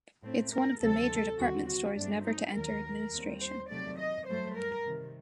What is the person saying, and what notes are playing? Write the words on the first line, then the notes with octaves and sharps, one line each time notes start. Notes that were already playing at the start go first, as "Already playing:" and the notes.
Its One Of The Major Department Stores Never To Enter Administration.
A2 A3 C4
A#4
D2 C3 D#3 F#3 C4 A4
D#2 D3 G3 C4 F#4
F#4
G2 F#3 A3 C4 D4
D#4
D#2 D#3 F#3 A#4
D#2 D#3 G3 C4
C5
C3 D#3 F#3 A3 D5
D#5
G2 F#3 A3 C5
A#4
C3 D#3 G3